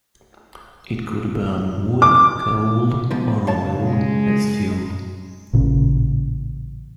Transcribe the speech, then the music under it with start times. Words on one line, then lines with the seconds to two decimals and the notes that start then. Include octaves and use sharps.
It could burn wood, coal, or oil as fuel.
2.02 D6
3.11 G#2 B2 F3
3.47 C#2 C#5 A5
3.84 G#3
5.53 A1 A#2 C#3